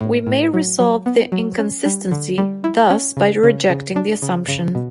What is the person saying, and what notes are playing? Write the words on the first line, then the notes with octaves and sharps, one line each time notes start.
We may resolve the inconsistency, thus, by rejecting the assumption.
A2
A2
F#3
F#3
B3
F#3
C#4
G3
D3
G3
E4
C#4
C#3
C#3
C#3
D4
C#3
C#3
B2